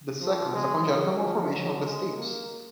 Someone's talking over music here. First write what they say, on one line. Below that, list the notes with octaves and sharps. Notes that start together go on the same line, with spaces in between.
The second is a congenital malformation of the stapes.
F3
G#3
F#3
F3
F#3
G#3
A#3